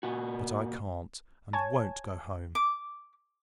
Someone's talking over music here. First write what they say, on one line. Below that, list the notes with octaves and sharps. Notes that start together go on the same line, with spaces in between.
But I can't, and won't, go home.
A#2 F#4
C#5 G#5 A5 G#6
D6